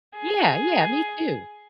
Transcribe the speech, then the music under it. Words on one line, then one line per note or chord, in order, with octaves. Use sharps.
Yeah, yeah. Me too.
G#4